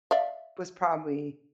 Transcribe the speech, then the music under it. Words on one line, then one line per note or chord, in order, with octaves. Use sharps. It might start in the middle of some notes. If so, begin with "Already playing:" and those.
was probably
D5 E5 F5